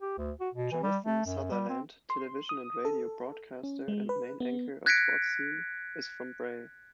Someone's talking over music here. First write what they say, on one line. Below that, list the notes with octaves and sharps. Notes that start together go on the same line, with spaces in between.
Jonathan Sutherland, television and radio broadcaster and main anchor of Sportscene is from Brae.
G4
D2
F#4
B2
E3
G3
A3
F#2
G3
C4
C6
D#6
A4
C#4
G#3
B4
B3
F#6 G#6 A#6 B6 C#7 D7